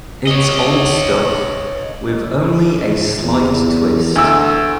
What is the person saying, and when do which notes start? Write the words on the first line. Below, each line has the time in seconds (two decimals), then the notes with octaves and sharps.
It's old stuff, with only a slight twist.
0.27 C#5 D#5
3.22 E2
4.16 D2 E6